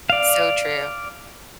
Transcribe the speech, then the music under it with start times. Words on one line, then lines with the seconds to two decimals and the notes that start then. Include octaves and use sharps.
So true.
0.10 D5 F5